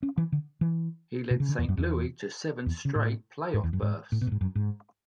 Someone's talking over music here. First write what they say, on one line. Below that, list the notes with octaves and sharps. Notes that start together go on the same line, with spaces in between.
He led Saint Louis to seven straight playoff berths.
C#4
E3
D3
E3
B2
C#3
D3
E2
F#2
E2
E2
C#3
A2
G#2
E2
F#2
G#2
A2
B2
A2
G#2
F#2
G#2